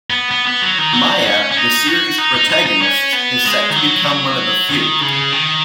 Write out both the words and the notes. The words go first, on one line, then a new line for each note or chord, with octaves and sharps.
Maia, the series' protagonist, is set to become one of the few.
B3
B3
B3
F#3
D#3
F#3
C#4
C#4
D#4
F#4
D#4
D#4
D#4
D#4
C#4
B3
G#3
D#3
F#3
D#3
C#3
D#3